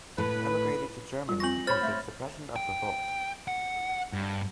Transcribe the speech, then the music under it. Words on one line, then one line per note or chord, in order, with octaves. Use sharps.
He emigrated to Germany because of suppression of revolt.
A2 B4
G3 F4
C4 F4 C#6 A#6 F#7
C5 C#5 B5 F6 A6
A3 E5
G5
F#5
G2